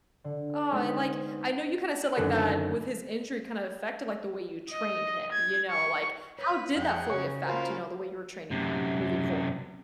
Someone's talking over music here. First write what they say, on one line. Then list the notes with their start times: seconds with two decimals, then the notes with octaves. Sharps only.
Aw, and, like, I know you, kinda, said like that, with his injury, kind of, affected, like, the way you trained him, you know, like, how did that fully affect, you know, the way you were training him moving forwar
0.24 D3
0.72 G#3 B3 C4 D#4
2.16 F#2 D3 D#3 F#3 A4 B4
4.71 D#5
5.32 G#6
5.70 C#6
6.39 B4 C#5
6.77 F2 G#4 F#5 G5
7.10 C#3 C#5 C#6
7.47 A#3 C#4 F4 F#4 A#4 C5 F5 B5
8.51 F#2 C3